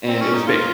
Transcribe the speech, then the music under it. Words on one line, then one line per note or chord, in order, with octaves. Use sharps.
and it was big.
C4
C#4
D#4
F4